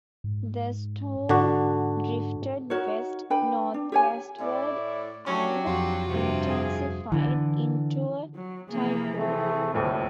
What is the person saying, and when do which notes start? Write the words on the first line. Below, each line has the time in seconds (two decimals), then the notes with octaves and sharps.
The storm drifted west-northwestward and intensified into a typhoon.
0.24 G#2
1.29 G#2 D3 D4 F#4
2.70 D#4 F#4 A#4 C#5
3.30 D4 B4 G5 B5
3.74 D4
3.92 G4 C#5 G#5
4.40 A2 E4 D5
5.26 F#3 C#4 D4 G4
5.67 F2 F4 F#4
6.09 G2 C3
6.47 G#4
7.12 D3 E3
8.35 F#3
8.70 C3 E3 F3 A#3 G#4
9.18 A3 C4 G#4
9.74 D#1 D2 A2 C3 D#3